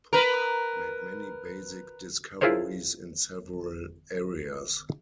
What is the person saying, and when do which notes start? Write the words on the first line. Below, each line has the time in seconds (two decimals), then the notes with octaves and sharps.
Puck made many basic discoveries in several areas.
0.13 A#4 B4
2.41 E4 F4 G#4 A#4 C5 C#5